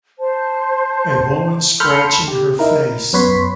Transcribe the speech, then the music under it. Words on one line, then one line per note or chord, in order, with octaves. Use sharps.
A woman scratching her face.
C5 A5
A4 B5 C6 F6 G6 C#7
G4
D#4 E4 A#4
F#2 B3 B4 C#5 C6 B6